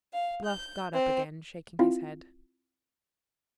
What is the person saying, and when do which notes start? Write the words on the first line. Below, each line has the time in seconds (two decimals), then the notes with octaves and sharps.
Bluff got up again, shaking his head.
0.13 F5
0.43 G6
0.93 C4
1.79 C4 E4 F4 F5